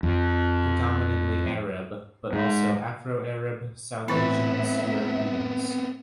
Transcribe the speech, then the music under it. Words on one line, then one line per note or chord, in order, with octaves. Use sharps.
Predominantly Arab; but also Afro-Arab, South Asians, Europeans.
F2
G#2
A2 E3 B3 C4 E4 B4 E5